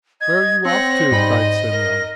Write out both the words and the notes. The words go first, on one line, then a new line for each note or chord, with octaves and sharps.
"Where are you off to?" cried Semyon.
D#5 G#6
C4 C5 C#5 F#5 A#6
G#2 G3 D#5 B5
A#4 A#6